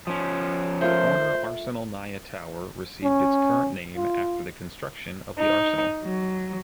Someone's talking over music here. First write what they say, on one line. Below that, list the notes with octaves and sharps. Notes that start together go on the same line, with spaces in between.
The Corner Arsenalnaya Tower received its current name after the construction of the Arsenal.
F3 C#4
A3 F4 A#4 C5
C#4
F4
D#4
F#3